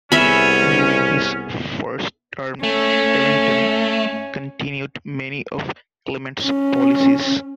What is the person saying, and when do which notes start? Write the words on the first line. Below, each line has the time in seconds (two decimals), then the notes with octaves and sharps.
During his first term, Ellington continued many of Clement's policies.
0.12 C2 B3 C#4 G#4 E5 B5
2.63 A3 C#4
6.44 C#4